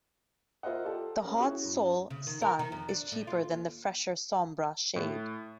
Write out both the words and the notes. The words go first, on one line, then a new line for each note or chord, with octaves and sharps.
The hot "sol", "sun", is cheaper than the fresher "sombra", "shade".
F4 A#4 C5 D#5 E5 F#5
F4 G4 A4 D5
C#4 A#4
C#4 E4 F#4 G#4
F#2
C#3
D#3
A#4
D#3
F2
D4
A2
F4
D#2
A2